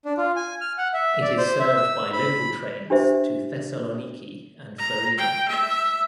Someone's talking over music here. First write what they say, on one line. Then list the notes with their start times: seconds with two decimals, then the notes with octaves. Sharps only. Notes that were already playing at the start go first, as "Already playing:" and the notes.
It is served by local trains to Thessaloniki and Florina.
0.05 D4
0.18 F4
0.36 G#5
0.61 F6
0.78 F#5
0.94 E5
1.22 D5
1.38 C5
1.60 E5
1.77 E6
2.13 B5
2.90 D4 G4 C5 E5
4.78 A#5
5.18 G5
5.49 E5